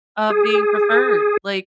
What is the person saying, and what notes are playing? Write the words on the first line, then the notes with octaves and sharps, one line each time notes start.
of being preferred. Like,
G#4